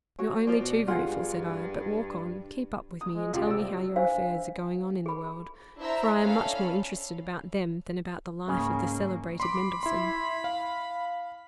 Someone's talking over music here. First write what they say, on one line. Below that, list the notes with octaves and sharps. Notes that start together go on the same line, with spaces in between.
"You're only too grateful," said I; "but walk on--keep up with me, and tell me how your affairs are going on in the world, for I am much more interested about them than about the life of the celebrated Mendelssohn."
F#4 C#5
F3 D5
B2
G2 F4 G#4 F#5
D#6
G#3
C#2 F4 G4
C3 D5 E6
D4 C5 F5
G#4 B5
D4 E4 C5 E5 A#5
C#4 A4 D5 F5 B5
C#2 G#2 C#3 A#3 C#4 C#5
B5 C6 D6
E4 C6
F5